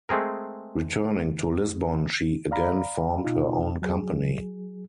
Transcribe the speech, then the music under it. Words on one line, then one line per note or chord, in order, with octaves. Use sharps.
Returning to Lisbon she again formed her own company.
G#3 A3 C4 G#4 A#4
D5 F5 A#5 B5
B2 D#4 F4
F#3 G#4